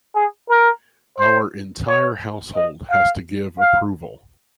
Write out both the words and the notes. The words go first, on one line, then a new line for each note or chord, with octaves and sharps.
Our entire household has to give approval.
G#4
A#4
C5
C#5
D#5
F5
F5